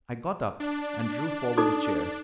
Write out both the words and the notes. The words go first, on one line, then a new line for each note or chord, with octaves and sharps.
I got up and drew forward a chair.
D4
D#4 A4 D6